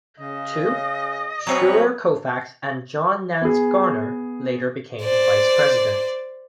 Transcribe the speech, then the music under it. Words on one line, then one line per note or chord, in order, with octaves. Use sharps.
Two, Schuyler Colfax and John Nance Garner, later became vice president.
C#3 D#5
F#2 B2 F#3 C4 B4 C#5
B3 G#4
C5 D5